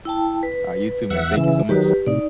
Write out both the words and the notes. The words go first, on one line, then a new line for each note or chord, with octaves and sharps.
Alright you too, man, thank you so much.
E4 G5 A5
B4
E2 E5 F#5
C#3 E3 E5
D#3 F#3 G4 B4
A2 C3 D#4 D5